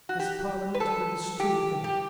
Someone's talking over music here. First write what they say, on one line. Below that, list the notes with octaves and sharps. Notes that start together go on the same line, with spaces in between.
His Parliament withstood him.
F#4
G4
B4
A4
G4
G4